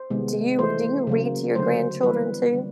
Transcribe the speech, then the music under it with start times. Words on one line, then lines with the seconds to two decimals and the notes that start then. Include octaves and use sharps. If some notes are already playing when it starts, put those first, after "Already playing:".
Do you do you read to your grandchildren too?
Already playing: C5
0.10 C3 D#3 G#3 B3
0.59 E3 A3 C5
1.07 C#3 F#3 A#3
1.55 D3 F#3 A3 C5
2.03 E3 G3 B3 B4
2.52 D3 G3 A#3